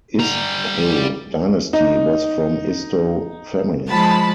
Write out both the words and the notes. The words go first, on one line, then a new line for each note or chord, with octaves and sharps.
Isdhoo Dynasty was from Isdhoo Family.
G3 A#5
D#4
F3 G#3 A5 B5